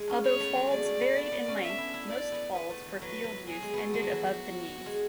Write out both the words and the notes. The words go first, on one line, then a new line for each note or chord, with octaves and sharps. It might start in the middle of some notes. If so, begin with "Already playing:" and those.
Although faulds varied in length, most faulds for field use ended above the knees.
Already playing: G#3
C#4
B3 C#5
A3
F#3
G#3 D5
A3
B3
B3
B3
C#4
E5
D4
E4
E4
D4 D5
B3
B3 B4
A3
E3
F#3 B4
F#3
F#3 G#4
G#3
A3 B3
G#3 F#4
F#3
E3
F#3
G#3